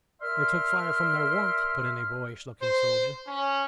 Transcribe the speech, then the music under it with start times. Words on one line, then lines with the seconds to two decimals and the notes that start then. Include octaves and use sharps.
"Or took fire from their warmth," put in a boyish looking soldier.
0.21 A#4 D5 E5 C6 F6
2.60 C5
3.26 C#4